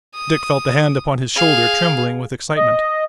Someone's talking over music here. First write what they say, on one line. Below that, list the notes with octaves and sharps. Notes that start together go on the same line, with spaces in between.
Dick felt the hand upon his shoulder trembling with excitement.
D#6
G#4 F5
D#5